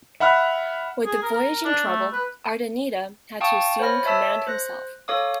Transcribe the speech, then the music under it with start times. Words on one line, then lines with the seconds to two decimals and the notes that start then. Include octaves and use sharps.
With the voyage in trouble, Urdaneta had to assume command himself.
0.20 E5 F#5 B5 F6 F#6
1.06 G#4
1.23 A#4
1.34 A#4
1.65 D4
1.85 A3
2.13 B4
3.41 F5 G5 A5 C#6 D#6
3.79 C5 C#5 F#5 B5 F6 A#6
4.05 C#5 E5 A5 E6 B6
4.47 C5 F#6 A#6
5.08 A4 C#5 F5 D6 D#6